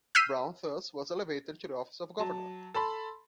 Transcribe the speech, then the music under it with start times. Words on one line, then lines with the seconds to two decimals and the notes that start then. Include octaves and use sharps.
Brown, thus, was elevated to the office of governor.
0.15 E6 F6 G6 B6 C7 D#7
2.19 F#3 A5
2.74 A4 A5 B5 C6